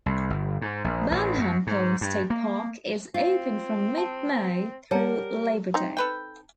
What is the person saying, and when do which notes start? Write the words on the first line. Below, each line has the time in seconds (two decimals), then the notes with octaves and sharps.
Burnham Point State Park is open from mid-May through Labor Day.
0.06 C2
0.30 G1
0.62 G#2
0.84 A#1
1.11 A1
1.38 F#2
1.67 G#2
2.01 G2
2.30 A#3
3.14 C4 F4
3.98 A5
4.91 G3 A#4 C#5 F#5 A5 A#5
5.74 C4 D#4
5.97 A4 B4 G5